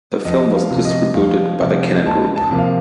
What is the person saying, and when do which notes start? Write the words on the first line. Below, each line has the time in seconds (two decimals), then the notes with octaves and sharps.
The film was distributed by the Cannon Group.
0.25 F2 D#5
0.56 F5
0.71 C3 F3
0.85 D#5
1.15 F2 F5
1.61 C3 F3
2.06 C#2 A5
2.36 A5
2.51 C3 F3 A#3
2.58 F5